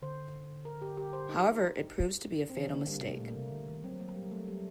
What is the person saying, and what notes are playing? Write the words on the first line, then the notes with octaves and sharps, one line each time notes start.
However, it proves to be a fatal mistake.
D3 C5
A#4
G4
G4
C5
D#4
C4
D#3 D4
D3 A#3
G3
C3 A#3
A#2 A3
A#3
C3
D3
D#3
F#3 C4
A#3
G3
A3
G3